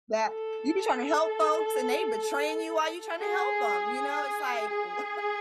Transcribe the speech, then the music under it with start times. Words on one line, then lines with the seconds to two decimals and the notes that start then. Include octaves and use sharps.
that you be tryna help folks, and they betraying you while you're trying to help 'em," you know? It's like, wha
0.23 A4
3.20 G#4
4.68 G#4